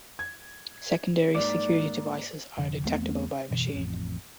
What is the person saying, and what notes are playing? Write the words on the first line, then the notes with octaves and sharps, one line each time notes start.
Secondary security devices are detectable by a machine.
G#6
G#2 A#3 D5
F1 F2 D3
E2 A3 B3 C4
F#1 B2 E3
A1 F2